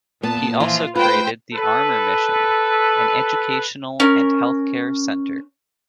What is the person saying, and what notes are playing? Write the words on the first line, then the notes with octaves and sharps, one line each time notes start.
He also created the Armour Mission, an educational and healthcare center.
A#2 B3 A5
E3 F3 F4
A3 F4 B4 C5 G5
A4 B4
C#4 A#4